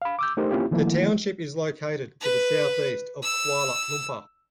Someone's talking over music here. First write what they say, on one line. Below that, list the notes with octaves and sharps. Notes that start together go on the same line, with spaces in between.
The township is located to the south-east of Kuala Lumpur.
F5 B5
D6 E6 G6
A3 D#4 G4 A#4 C5
A#3 C4 C#4 E4 F4 G4
D#3 F3 A3 A#3 E4
B4
E6